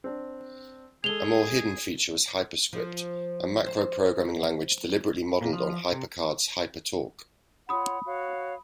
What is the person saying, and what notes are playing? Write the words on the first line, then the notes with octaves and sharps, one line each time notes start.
A more hidden feature was HyperScript, a macro-programming language deliberately modelled on HyperCard's HyperTalk.
C4 D4
G#3 G#4 A4 F7 G7
F3
C5
A#2
F3
C3
F4 C#5 F#5 B5 D#6
F#4 C#5 F5